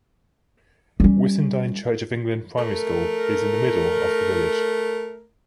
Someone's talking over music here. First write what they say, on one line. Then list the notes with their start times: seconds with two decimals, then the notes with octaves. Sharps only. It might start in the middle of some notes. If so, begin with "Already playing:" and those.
Whissendine Church of England Primary School is in the middle of the village.
1.00 G3 C#4
2.58 A3 A#4